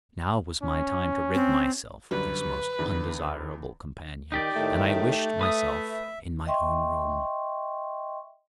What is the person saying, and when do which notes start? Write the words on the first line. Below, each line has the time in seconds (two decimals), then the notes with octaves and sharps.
Now was my time to rid myself of this most undesirable companion, and I wished myself in my own room.
0.63 C#4
1.34 C4
2.11 F#2 D3 G3 B4
2.79 E2 D3 D#3
4.32 D#3 D#4 G4 D5
4.56 A2 D#3 A3
5.41 B4 E5 D#6
6.47 D#5 E5 G5 C6 C#6